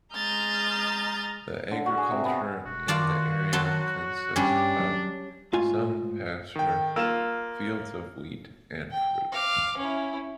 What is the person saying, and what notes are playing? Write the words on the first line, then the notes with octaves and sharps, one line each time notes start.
The agriculture in the area consists of some pasture, fields of wheat and fruit.
G#3 A#5 D#6 F6 G6 A6
D3
F#4
G#4
C3
B3
E1 F#4
D#3 F4 D5 A5
F#3 A5 C6
G2 G3 C#4 D4
F#3
G#2 A3 F4 F5 G#5
D#3 G5
A#3 F4 E6 F6 E7
G5
F5 D6
C#4 E4